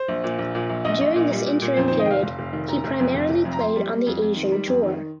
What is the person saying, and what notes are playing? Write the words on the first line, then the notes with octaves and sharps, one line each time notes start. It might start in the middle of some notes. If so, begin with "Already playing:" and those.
During this interim period he primarily played on the Asian Tour.
Already playing: C5
A#1
A#2
A#1
A#2
A#1
A#1 D#5
A#1
A#2
G3
A#2
A#2
F2 C5
D#3 C5
D#5
F1 F5 G5
F1
F1
D#3
F1 A#5
F1
F2
F1
F1
F2
A#5
F2 C6
G3
G3
F2
F2
D#3
G3
F2
D#3